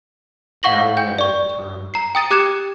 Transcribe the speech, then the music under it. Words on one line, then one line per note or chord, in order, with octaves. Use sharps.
Now or never was the time.
F5 F#5 C#6 A#6 F#7
G5 G6
D5 C#6
A#5 C7
G5 D#6 A6 D#7
G4 D6 F#6 G#6 C#7 E7